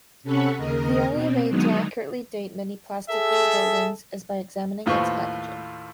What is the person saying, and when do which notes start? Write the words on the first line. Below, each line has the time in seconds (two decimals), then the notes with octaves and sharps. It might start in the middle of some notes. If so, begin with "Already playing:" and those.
The only way to accurately date many Plasticville buildings is by examining its packaging.
0.23 C3 C#4 A4 F#5 B5 C#6
0.57 D#2 C#3 A#4 D#5
1.10 B2 C4
1.49 D3 D#3 F#3 G#3 B3 D#4
3.09 G#4 A4 E5
4.86 D#2 A2 F4 B4 C5 C#6